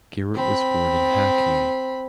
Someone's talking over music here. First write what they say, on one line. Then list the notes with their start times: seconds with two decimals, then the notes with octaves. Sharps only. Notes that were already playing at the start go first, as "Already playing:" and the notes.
Garrett was born in Hackney.
0.34 C4 B5